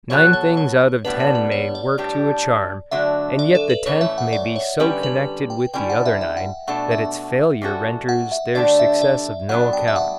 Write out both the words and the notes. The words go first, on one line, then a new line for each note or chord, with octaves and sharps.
Nine things out of ten may work to a charm, and yet the tenth may be so connected with the other nine, that its failure renders their success of no account.
B2 F#3 B3 F#4 A4 C#5
C#5
C#5
A2 G3 B3 D4 B4
B4
B4
C#5
D5
A2 G3 D4 G4
D3 F#3 A3 D4 F#4 E5
D5
A4
B4
A2 E3 A3 C#4 C#5
E5
F#5
D5
C#5
D3 G3 C#4 G4 B4
B4
G5
D3 G3 C#4 E4 G5
F#5
E5
E5
F#5
B2 A3 D4 A4 F#5
E5
G3 C#4 F#4 A4
F#5
E5
D3 A3 D4 G4 D5
E5
D5
F#3 B3 D4 F#5
G5
E5
F#5